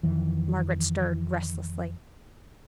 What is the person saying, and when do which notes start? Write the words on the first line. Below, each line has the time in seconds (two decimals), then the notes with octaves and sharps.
Margaret stirred restlessly.
0.03 F2 D#3 E3